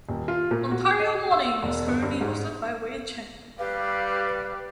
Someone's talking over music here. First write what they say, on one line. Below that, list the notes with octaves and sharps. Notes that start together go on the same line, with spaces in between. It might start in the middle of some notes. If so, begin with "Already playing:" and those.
"Ontario Morning" is currently hosted by Wei Chen.
D#1
F4
A#2
F#4
D#5
E6
E1
G1
G2
G#2
G3 G4 B4 F5